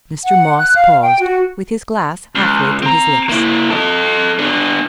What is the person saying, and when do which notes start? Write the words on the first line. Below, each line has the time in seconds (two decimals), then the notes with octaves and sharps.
Mr. Moss paused, with his glass halfway to his lips.
0.25 F#5
0.57 F#6
0.76 F5
1.01 G5
1.19 F#4
2.35 C#2
2.82 C4 A#5
3.29 A#3 E4
3.70 A4 D#5
4.39 B3 D4